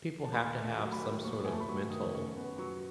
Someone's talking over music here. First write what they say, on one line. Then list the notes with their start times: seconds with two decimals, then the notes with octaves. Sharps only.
people have to have some sort of mental
0.24 A5
0.32 D#2 B5
0.55 A3
0.63 A5
0.78 F#3
0.92 B5
1.00 D#3
1.22 D#2 C#6
1.45 A3 G#5
1.52 A5
1.60 B5
1.68 F#3 C#6
1.90 D#3 D#6
2.13 F#2 C#6
2.36 B3
2.58 F#3 C#6